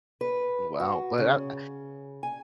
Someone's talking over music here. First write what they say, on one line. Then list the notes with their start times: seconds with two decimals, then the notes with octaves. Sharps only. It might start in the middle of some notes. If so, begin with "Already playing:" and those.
wow, but, ah
0.21 B4
0.80 F#4
1.18 C#3
2.23 G#5